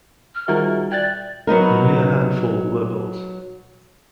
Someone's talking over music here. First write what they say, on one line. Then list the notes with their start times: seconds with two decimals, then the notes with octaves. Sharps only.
Only a handful were built.
0.35 F6
0.48 D#3 G3 F4 F#4 G#4 A#4 E5
0.92 D5 G5 F#6 G#6 A6
1.47 F#3 B3 D#4 A#4